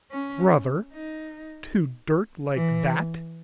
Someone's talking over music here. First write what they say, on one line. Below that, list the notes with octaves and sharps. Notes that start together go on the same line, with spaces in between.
"Brother!--to dirt like that?"
C#4
D#4
E3